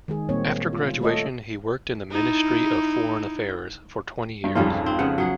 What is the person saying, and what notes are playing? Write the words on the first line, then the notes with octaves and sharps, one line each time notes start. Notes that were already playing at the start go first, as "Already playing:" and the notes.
After graduation, he worked in the Ministry of Foreign Affairs for twenty years.
D#3 G#3 G#4
A#2 G3 A#3 C4 C#5
F4
A3 F4 A4 C#5 D#5
D#4 E4
G2 G3
B1 F2 G#2 G3 C#4 F4
C4
C#3 B3 F#5
F#3 G#4 F#5